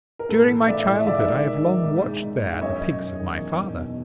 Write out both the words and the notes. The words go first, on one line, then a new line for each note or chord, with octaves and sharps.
During my childhood I have long watched there the pigs of my father.
A#4
A2 A4 B4
E3
A2 D5 E5
E3
G#2 D5 E5
D#3
D#3
D#3
G#2
G#2
G#2
G#2
E5
F#2 C#5 D#5
D#3
F#2
D#3
E2
E2
B2